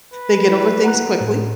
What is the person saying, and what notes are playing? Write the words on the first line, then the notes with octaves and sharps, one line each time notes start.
they get over things quickly,
B4
E4
F#5 A#5 F#6
A2